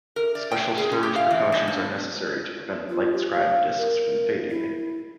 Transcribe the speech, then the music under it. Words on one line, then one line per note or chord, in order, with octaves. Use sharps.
Special storage precautions are necessary to prevent LightScribe discs from fading.
A#4
D5
G5
G#4
C#4
G4
F5
E3
G2
G2
F4
G4
F5
A#4
E4